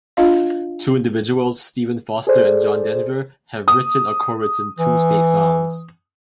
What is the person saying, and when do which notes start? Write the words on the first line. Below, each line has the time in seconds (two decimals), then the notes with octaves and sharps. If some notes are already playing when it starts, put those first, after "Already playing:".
Two individuals, Stephen Foster, and John Denver, have written or co-written two state songs.
0.17 D4 F4 D#5 F5
2.27 G#4 A4 C5 D5
3.68 D#6
4.79 E3